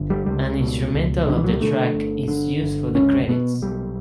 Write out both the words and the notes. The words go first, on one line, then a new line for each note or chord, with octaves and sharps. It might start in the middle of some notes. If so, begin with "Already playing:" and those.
An instrumental of the track is used for the credits.
Already playing: G1 D3
G3
C#2 G3
B2
C#2
B2 D3
E3
F#3
G3
D3 A3
G1
D3
G1
C#2 C#4
B2 B3
B1 G3